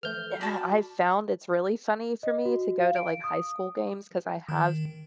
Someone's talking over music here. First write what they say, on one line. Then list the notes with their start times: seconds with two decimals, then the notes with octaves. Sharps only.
uh, I found it's really funny for me to go to, like, high school games 'cause I have
0.03 E3 F3 A3 A4 F6 G6
0.41 F#4 D5 A5 B5 C#6 A6 A#6
2.23 D#5
2.45 F#4
2.80 F5
2.96 D7
3.24 D#6
4.49 D#3